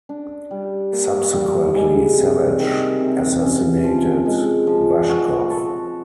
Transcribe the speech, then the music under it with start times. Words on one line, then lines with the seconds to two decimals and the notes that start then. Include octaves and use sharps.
Subsequently, Savage assassinated Vashkov.
0.09 D4
0.51 G3
0.93 A#3
1.34 G3
1.76 G#3
2.18 C3
2.59 D#3
3.00 C3
3.42 C#4
3.84 F3
4.26 G#3
4.67 F3
5.09 F#4
5.50 A4